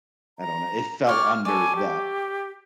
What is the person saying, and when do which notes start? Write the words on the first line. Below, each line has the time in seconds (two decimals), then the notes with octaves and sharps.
I don't know it fell under that
0.39 A#5
1.07 G4 C#5 D5 F6
1.45 A4 C#5 D5 G#5
1.76 G4